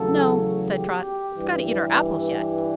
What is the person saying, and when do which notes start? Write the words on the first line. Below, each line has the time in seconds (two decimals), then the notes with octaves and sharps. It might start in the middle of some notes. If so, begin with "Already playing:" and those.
"No," said Trot; "we've got to eat our apples yet."
Already playing: E2 C#3 F#3 A3 A4
0.73 G4
1.34 G2 E3 G3